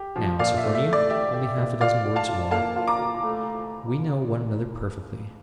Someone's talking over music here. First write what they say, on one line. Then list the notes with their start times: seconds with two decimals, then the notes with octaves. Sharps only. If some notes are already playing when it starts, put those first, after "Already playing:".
Now, Sophronia, only half a dozen words more. We know one another perfectly.
Already playing: G4
0.16 F3
0.39 A#2 D5 F5
0.58 E5
0.64 A3
0.75 E5
0.86 A3
0.93 D5
1.10 G4 E5
1.34 G4
1.57 A#2
1.80 F4 D5 F5
2.04 F4
2.16 F5 A5
2.28 F4
2.51 A#3 F5 A5
2.76 F4
2.87 A#5 D6
2.99 F4
3.23 A3